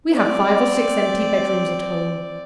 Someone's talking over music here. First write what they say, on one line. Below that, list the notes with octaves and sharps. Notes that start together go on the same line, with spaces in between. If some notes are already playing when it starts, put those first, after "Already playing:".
We have five or six empty bed-rooms at home.'
C4 D5